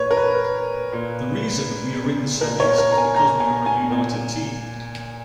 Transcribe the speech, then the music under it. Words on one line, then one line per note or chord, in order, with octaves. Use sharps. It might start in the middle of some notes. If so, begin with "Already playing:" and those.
The reason we are in the semis is because we are a united team.
Already playing: A#2 B4 C#5
A#4
B4
A#2
A#2 A#4
C#5
A#4
A#5
G#5
A#5
G#5
G#5
A#2